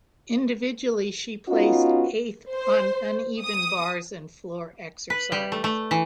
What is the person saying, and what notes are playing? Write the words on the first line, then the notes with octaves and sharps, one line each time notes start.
Individually she placed eighth on uneven bars and floor exercise.
B3 C#4 D#4 F4 F#4
C5
D#6
B4
G3
A3
A3
E3